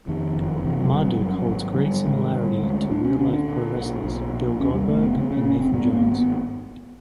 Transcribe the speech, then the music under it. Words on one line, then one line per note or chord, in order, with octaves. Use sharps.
Marduk holds great similarity to real-life pro wrestlers, Bill Goldberg and Nathan Jones.
F2 D#3
F#1
C3 E3
F#3
F#1 G3
F#3
G2 F#3
G#1
D3 G3
G#1 G#3
D3 G3
D2 G#3
D2 D4
C#4
D3 C#4
D4
A#2
B1
B1
A#2
D#2 C#4
G3
F1 A3
B3
C#3 C4
C#4
F1 C#4
C4
G2 B3
A#3
G#1
B3